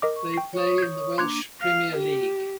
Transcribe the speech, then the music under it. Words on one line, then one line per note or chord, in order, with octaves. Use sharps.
They play in the Welsh Premier League.
A#4 D#5 D6
C#6
G5 C7
C#5 C#6 D#6
G6 G#6
A#3 D4 C6 F#6 G#6
F5
G4